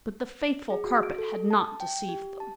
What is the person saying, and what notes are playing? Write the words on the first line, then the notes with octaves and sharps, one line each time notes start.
But the faithful carpet had not deceived them.
G#4
F#4
D7
A4
A5
G5
G4
A5